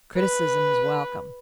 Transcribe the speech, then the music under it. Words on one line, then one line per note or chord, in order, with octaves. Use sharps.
Criticism is welcome.
B4